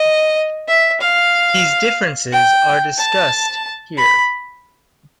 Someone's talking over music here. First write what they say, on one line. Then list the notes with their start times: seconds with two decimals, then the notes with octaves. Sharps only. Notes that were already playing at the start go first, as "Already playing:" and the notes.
These differences are discussed here.
Already playing: D#5
0.68 E5
1.00 F5
2.32 G5
2.98 A5
3.97 B5